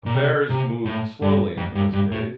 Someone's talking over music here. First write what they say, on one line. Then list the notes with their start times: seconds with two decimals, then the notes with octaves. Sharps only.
Affairs moved slowly in those days.
0.06 A#2
0.14 C3
0.50 C3
0.85 A2
1.22 G2
1.57 F2
1.75 G2
1.93 G2
2.12 A2